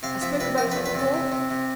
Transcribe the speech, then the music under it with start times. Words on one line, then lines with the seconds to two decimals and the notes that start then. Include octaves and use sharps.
I spoke about it before.
0.03 C3 F5
0.22 F3 E5
0.40 C3 B4
0.58 F3 A#4
0.72 B4
0.76 E2
0.86 B4
0.94 C3 A4
1.14 C3
1.32 C3
1.51 C3